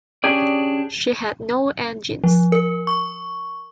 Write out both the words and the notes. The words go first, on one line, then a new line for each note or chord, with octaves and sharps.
She had no engines.
C#4 D4 G4 G#4 D5
F3
A#4
C#6